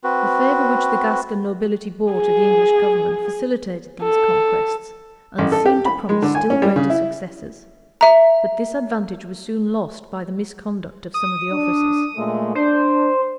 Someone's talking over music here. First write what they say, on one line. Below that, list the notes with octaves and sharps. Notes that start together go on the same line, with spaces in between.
The favor which the Gascon nobility bore to the English government facilitated these conquests, and seemed to promise still greater successes; but this advantage was soon lost by the misconduct of some of the officers.
C4 F#4 B4
G#4
A4
A1
A4
G4
B5
G#3
D3
G#5
C#4
G3
C#3
E4
E5 A#5
D#6
D4
A#2 G#3 A3
D4 C5